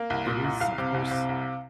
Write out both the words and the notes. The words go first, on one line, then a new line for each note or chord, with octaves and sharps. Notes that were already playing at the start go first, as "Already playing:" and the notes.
it is, of course,
Already playing: A#3
C2
A#2
C2
C2 F5
C3
C2
C3
C2